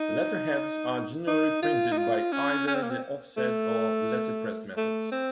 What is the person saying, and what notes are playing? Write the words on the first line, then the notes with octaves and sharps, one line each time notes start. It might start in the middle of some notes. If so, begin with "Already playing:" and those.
Letterheads are generally printed by either the offset or letterpress methods.
Already playing: D#4
D#4
F4
D#4
F4
C#4
C#4
C4
A#3
C4
A3
A3
C4